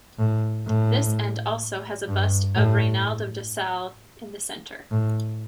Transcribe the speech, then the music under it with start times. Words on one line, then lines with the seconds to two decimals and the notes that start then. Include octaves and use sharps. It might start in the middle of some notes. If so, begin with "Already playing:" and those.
This end also has a bust of Rainald of Dassel in the center.
0.19 A2
0.67 A2
2.08 G2
2.56 A2
4.91 A2